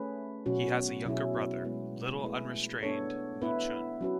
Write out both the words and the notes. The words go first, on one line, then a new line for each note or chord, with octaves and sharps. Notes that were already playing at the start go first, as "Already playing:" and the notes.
He has a younger brother, "Little Unrestrained" Mu Chun.
Already playing: A3 C#4 G#4 B4
B2 F#3 C#4 F#4
B2 F#3 C#4 E4 G#4
G#3 B3 E4 B4
A3 E4 G#4 B4
B3 D4 A4 C#5
B3 E4 B4
F#3 C#4 F#4 B4